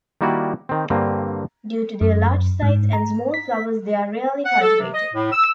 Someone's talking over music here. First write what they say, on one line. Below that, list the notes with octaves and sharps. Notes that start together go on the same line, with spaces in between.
Due to their large size and small flowers, they are rarely cultivated.
D#3 G3 A#3 E4 F#4 D5
D#3 C4
G2 D3 A#3 C4
F#2
G#2
A#5
B6
F#5
A4
C3
D#5
A2
E6